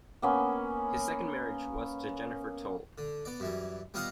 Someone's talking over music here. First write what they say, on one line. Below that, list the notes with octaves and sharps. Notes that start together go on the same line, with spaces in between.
His second marriage was to Jennifer Tole.
A#3 B3 C#4
D3
B3 D5
F#2 E3 G3
G3 B3 F4 D#5 F5 F#5